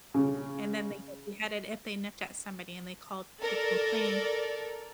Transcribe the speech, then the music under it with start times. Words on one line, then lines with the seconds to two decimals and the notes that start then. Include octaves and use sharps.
and then they get beheaded if they nipped at somebody and they call to complain
0.14 C#3
3.40 A4 A#4 D5